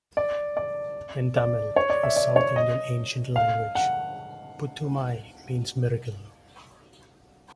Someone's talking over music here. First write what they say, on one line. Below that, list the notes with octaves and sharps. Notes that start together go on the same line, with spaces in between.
In Tamil, a South Indian ancient language, "Puthumai" means Miracle.
D5
D5
D5
C#5
D5
E5
D5
C#5
D#5
F5
F#5